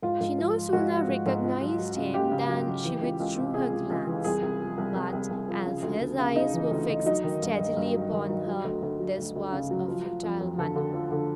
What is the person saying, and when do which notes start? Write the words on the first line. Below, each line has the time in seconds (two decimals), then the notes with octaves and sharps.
She no sooner recognized him than she withdrew her glance; but as his eyes were fixed steadily upon her this was a futile manoeuvre.
0.02 G#2 F4
0.21 G#2
0.38 F3
0.56 F3
0.73 G#2 F#4
0.91 F3
1.08 G#2
1.26 G#2
1.43 C#2
1.62 F#3
1.79 F#3
1.96 C#3
2.14 C#3 G4
2.31 C#3
2.49 F#3
2.67 F#3
2.84 E3
3.02 C#2
3.20 C#2
3.38 C3
3.54 C3 G#4
3.72 C#2
3.90 C#2
4.07 E3
4.24 C2 G#4
4.42 C2
4.60 F3
4.78 C2
4.95 C2
5.13 C2
5.30 C2
5.48 F3
5.66 C#3
5.83 D2
6.00 D2
6.18 C#3
6.36 C#3 D#4
6.54 E3
6.71 D2
6.89 D2
7.06 F#3 D#4
7.24 D#3
7.42 G2
7.59 G2
7.77 G2
7.94 F#3
8.12 D#3
8.29 F#3
8.47 F#3
8.64 D2
8.83 D2
9.00 F#3
9.18 D2
9.36 D2
9.52 C#3
9.71 F#3
9.88 F3
10.06 F3
10.23 F2
10.41 F2
10.58 D3 A4
10.76 D3
10.93 F3
11.11 D3